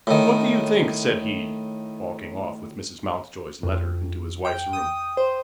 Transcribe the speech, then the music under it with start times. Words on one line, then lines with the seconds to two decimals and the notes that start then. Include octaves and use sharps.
"What do you think?" said he, walking off with Mrs. Mountjoy's letter into his wife's room.
0.07 A2 D#3
3.63 F2
4.45 G5
4.73 D#6
5.17 C5